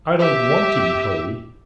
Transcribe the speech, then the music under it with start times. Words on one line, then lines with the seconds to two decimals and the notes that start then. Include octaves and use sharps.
I don't want to be holy.
0.19 G4 E5